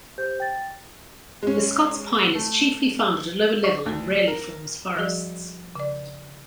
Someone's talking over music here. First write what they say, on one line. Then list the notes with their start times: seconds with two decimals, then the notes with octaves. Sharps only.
The Scots pine is chiefly found at a lower level and rarely forms forests.
0.18 G4 C5 G6
0.40 G5 A6
1.43 G#3 C#4
2.35 A3
3.64 C#6
3.86 D2
4.28 A#4
4.97 F3 G3 F#4 G#4 D5
5.75 C#3 D5